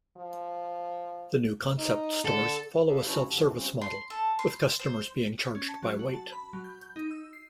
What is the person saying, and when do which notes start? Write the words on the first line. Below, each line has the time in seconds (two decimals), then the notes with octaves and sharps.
The new concept stores follow a self-service model, with customers being charged by weight.
0.17 F3
1.78 D#4
2.25 D3 A4
2.88 G4 A4 B4 D5 D#5 F5
3.05 C#3 F#3 C#4 D4 E4 F#4
3.29 F#2 D3 G4 A5
3.42 F2 D#3 E3 C4 D4
3.55 F3 G3 C4 C#4
3.81 C6
4.10 A4
4.39 C6
4.79 C5
5.55 C#4
5.68 A5
5.83 F#3
5.99 F#4
6.14 A5
6.32 B5
6.53 F#3
6.64 G6
6.82 G6
6.96 D#4
7.11 E6
7.33 C7